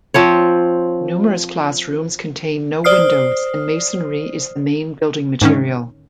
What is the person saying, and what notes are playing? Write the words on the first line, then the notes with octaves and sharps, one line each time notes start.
Numerous classrooms contain no windows and masonry is the main building material.
F3 C4 C#5
C5 D5 D#6 F6 C7
G#2 D3 D#3 C#4